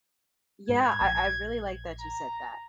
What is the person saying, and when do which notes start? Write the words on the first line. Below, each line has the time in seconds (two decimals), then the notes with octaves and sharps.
yeah, I I really like that you said that,
0.69 G#2 G#6
1.01 A#1
2.00 A#5